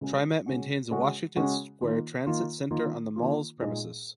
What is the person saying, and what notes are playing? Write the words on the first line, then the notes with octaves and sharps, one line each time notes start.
TriMet maintains the Washington Square Transit Center on the mall's premises.
C#3 G#3 C#4 F#4
C#3 G#3 C#4 F#4
C#3 G#3 C#4 F#4
C#3 G#3 C#4 F#4
D#3 A#3 F4
D#3 A#3 F4
D#3 A#3 F4
D#3 A#3 F4
A#2 G#3 D#4 G#4 D#5